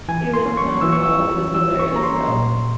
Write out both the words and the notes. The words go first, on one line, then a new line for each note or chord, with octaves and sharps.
It was not at all. It was hilarious, though.
E3 G#5
C6
A#3 C#4
C#6
E3 E6
C#6
E6
G3 C#4
E3 E6
C#6
A#3 C#4 A#5
C6
A#2